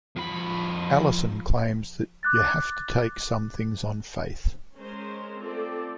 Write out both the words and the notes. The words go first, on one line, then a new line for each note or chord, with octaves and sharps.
Allison claims that "you have to take some things on faith".
F2 B5
D6 F#6 A6
G#3 C#4 A#4 C5
A3 C4 F4 A4 D5